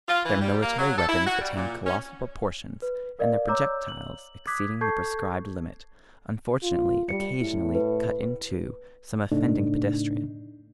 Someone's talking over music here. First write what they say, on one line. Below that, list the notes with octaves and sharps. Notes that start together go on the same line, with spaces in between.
Their military weapons attained colossal proportions, and their projectiles, exceeding the prescribed limits, unfortunately occasionally cut in two some unoffending pedestrians.
F4
E3
G3
A#3
F#3
A4
E4
F#4
G3
A#2
C#4
B4
A#4 D5 D#5 F5
C#5 A#5 D6 E6 G6
F#7
D6 D#6 F#6 G#6 B6
A4 A5 C#6 G6 G#6 C7
F4
G3 C#7
A2 E4
B4
A2 C#3 A3 D4 D#4